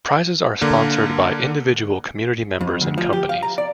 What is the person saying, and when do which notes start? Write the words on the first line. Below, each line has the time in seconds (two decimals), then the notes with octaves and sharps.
Prizes are sponsored by individual community members and companies.
0.61 D3 A#3 A#4
2.61 F2
2.81 D2
2.98 F3
3.13 G4
3.29 F5
3.43 A#5
3.58 D5